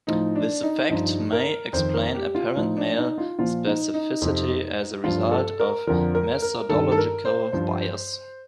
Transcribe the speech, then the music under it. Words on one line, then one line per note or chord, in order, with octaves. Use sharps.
This effect may explain apparent male specificity as a result of methodological bias.
A2 F3 D#4
D4
D#4
G2 F3 D#4
A#4
F2 D#3 C5
A#4
G4
F4
A2 F3 D#4
D4
D#4
F4
A#2 F3 F4
D#4
D#4
F2 C3 F3
G2 F3 F4
A4
A#4
F2 D3 F3 A#4
A#4
A#4
G2 D#3 A4
A4
A#4
C5
G2 F3 C5